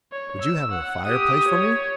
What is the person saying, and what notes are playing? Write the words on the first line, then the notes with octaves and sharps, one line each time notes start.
"Would you have a fireplace for me?"
C#5
E6
F#5
G4 D#6
C#5